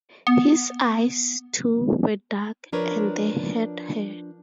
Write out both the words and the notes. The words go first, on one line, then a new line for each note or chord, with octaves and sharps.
His eyes, too, were dark, and they hurt her.
B3
F3 D4 A#4 B4 C#5